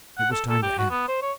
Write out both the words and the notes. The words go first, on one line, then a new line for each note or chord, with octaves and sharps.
It was time to act.
F#5
A4
A4
G4
F#4
B3
C5
C#5